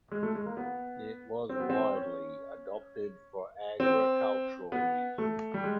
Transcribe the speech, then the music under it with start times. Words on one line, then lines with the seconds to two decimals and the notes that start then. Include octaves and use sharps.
It was widely adopted for agricultural use.
0.11 G#3
0.23 A3
0.35 G#3
0.46 A#3
0.57 B3
1.49 C4
1.60 B3
1.70 C4
1.95 C#4
3.80 C4
4.72 B3
5.18 A3
5.54 G3
5.64 G#3